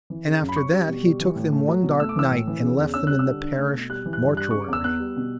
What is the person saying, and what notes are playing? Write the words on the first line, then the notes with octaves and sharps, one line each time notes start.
And, after that, he took them one dark night and left them in the parish mortuary.
E3
C#3
F#2
B5
C#4 C#6
G3
B2
G3
E3
A2
A3
F#3
B2
A3 E6
D6
E3 E6
A2
E3
C#3
E2
C#4 E6
G3 F#6
E6
D3
D4
A3
B2
G3 F#6
E3
F#6
G2
G3 F#6
C#3 C#6
D6
E2 E6
B3 F#6
G3
B2